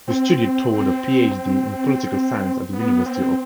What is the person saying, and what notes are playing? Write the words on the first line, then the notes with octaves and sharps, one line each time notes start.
He studied toward a Ph.D. in political science at the University of Iowa.
C4
C4
B3
C4